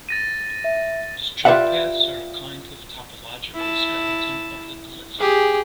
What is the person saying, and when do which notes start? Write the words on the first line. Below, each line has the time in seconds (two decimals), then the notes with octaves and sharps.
The stroke paths are a kind of topological skeleton of the glyph.
0.09 A6 A#6 D#7
0.64 E5
1.45 F4 G4 B4 D5 E5 F#5
3.55 E4 A5
5.19 G4 G#4